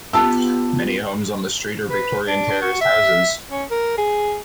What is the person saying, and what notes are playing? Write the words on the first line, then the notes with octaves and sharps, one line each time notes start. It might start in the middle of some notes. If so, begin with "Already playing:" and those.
Many homes on the streets are Victorian terraced houses.
B3 F4 G4 A5 E6
B4
D4
F#4
E5
C#4
A#4
G#4